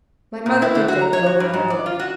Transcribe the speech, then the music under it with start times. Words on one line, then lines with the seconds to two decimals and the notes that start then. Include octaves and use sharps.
My mother looked at me over her book.
0.46 A#2
0.62 E4
0.75 D3
0.88 F#4
1.01 A#5
1.13 C#5
1.26 F#4
1.40 G2
1.53 G#2
1.70 D5
1.86 F4
1.99 F#4